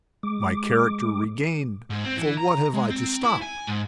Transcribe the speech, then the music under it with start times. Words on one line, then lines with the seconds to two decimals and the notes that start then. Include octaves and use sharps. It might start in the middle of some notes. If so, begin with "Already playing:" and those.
"My character regained, for what have I to stop?"
0.23 G#3 D6
1.91 G#2
2.05 C4
2.17 E3
2.37 A#5
2.74 G#3
2.90 C4
3.23 E4
3.42 G#5
3.67 G#2